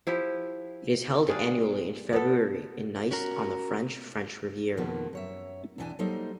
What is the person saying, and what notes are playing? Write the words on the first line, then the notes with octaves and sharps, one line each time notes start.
It is held annually in February in Nice on the French Riviera.
F3 E4 G4
G3 D4 G#4 F5
B3 A4
C#4 F#4 A#4
F2 B2 D#3 F3 A#3 B3
F#2 C#5 E5
E2 B2 E3 D4 G5 G#5
F#3 G3 A#3 D#4 A4 C5